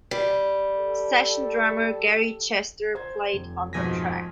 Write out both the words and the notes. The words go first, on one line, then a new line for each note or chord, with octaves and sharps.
Session drummer Gary Chester played on the track.
G3
G4 A4
C5 G#6
F1
G#2 B2 F3 G#5 A#6 B6